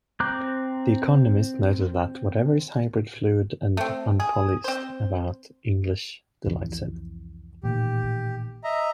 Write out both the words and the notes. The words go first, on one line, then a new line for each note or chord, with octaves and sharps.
The Economist noted that "whatever is hybrid, fluid and unpoliced about English delights him".
C4 A#5 D6 F#6 G6
A3 C4
G#4
C4 C5
C2 F2 E3
A1 A#2 D#3 G4
D#5 E5 A#5